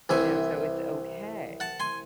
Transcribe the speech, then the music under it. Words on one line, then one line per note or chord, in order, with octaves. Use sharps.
You know, so it's okay.
C2 C3 E3 E5 G#5
F#5 A5
G#5 C6